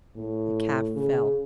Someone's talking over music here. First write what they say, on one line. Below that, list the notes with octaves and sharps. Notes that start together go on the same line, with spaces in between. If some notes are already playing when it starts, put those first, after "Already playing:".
The calf fell.
A2
C#3